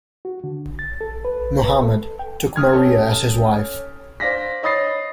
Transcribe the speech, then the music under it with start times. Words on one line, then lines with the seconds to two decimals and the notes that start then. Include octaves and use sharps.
Muhammad took Maria as his wife.
0.25 F#4
0.44 D3
0.79 A6
1.01 A4
1.25 B4
1.65 B4
1.83 A4
2.19 G5
2.56 D#6 F6 G#6
2.73 C#4 G4 A4
4.20 C5 D5 F5 A#6 B6
4.63 C#5 D#5 B5 D#6 A6 C7